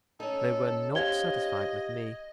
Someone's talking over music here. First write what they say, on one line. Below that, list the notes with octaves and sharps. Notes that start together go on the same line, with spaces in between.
They were not satisfied with me.
C#4 D#4 A4
G4 C5 D#5 F5 G#6 G7